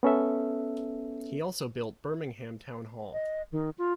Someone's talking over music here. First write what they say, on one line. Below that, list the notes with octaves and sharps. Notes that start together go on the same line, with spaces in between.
He also built Birmingham Town Hall.
B3 C#4 A4 E5
D#5
D#3
F4